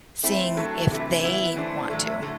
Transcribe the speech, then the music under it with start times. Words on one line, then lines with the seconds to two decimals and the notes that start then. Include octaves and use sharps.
seeing if they want to.
0.23 A3 C4 E4
0.57 F#3 A3 D4 A4
0.90 C3 E3 A3
1.23 E3 B3 E4
1.56 E3 A3 D4 A4 C5
1.90 A2 F#3 A3
2.22 D3 A3